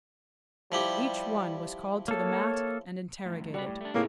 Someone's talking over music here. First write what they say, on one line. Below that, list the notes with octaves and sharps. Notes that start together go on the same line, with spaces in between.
Each one was called to the mat and interrogated.
F3 G3 E4 G4
A#3 A4 C#5
F2 A2
G3 F#4 B4
A2
A3 D4
A2 C#3 A3 A#3 C4 D#4